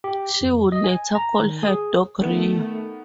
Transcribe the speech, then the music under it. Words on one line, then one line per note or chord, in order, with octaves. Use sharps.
She would later call her dog Rio.
G4
F2
D#5
G#5
A#5
D#3
G#4
D#3 A3 B3